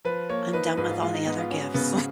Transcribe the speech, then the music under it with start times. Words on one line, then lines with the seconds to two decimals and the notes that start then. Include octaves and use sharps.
I'm done with all the other gifts."
0.05 F3 B4
0.29 A#3 C#5
0.53 D#4 B4
0.66 B4
0.77 G#2 B4
0.90 F4
1.02 G#3 F4
1.14 D#4
1.26 B3 D#4
1.38 F4
1.50 C#4 F#4
1.74 C#3 B3